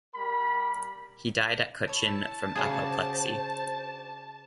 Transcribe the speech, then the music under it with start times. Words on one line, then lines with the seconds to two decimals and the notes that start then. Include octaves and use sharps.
He died at Cochin from apoplexy.
0.15 G3 A#4 B5
1.88 E4 C#5 A5
2.55 C#3 D4 F#4 G#4 C5